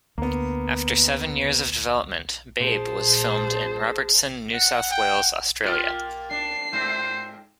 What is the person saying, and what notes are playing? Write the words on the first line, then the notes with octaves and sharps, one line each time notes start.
After seven years of development, "Babe" was filmed in Robertson, New South Wales, Australia.
D2 A#3 B3
A#2 G#4 C5 A5
F#5
G5
A#3 F4 G4
D4 C7
G#2 C4 C5